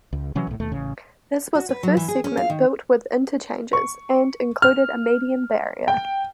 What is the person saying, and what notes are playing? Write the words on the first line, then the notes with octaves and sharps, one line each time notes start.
This was the first segment built with interchanges, and included a median barrier.
C#2
C3 E3 F#3 C#4
B1 A2
D#2 B2 A3
A1 C#3
F#4
B4
F#3
E3
G#4
C#4
F5
D#3
C#6
F6
G5